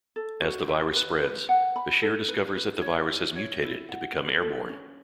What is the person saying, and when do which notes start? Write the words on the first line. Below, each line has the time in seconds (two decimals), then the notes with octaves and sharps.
As the virus spreads, Bashir discovers that the virus has mutated to become airborne.
0.16 A4
0.42 F#4
0.68 E5
0.96 B4
1.22 B4
1.49 F#5
1.76 B5
2.02 A4
2.28 B4
2.56 B4
2.82 C#5
3.09 E4
3.36 C#5
3.63 E4
3.89 F#5
4.16 B4
4.42 A4
4.69 C#4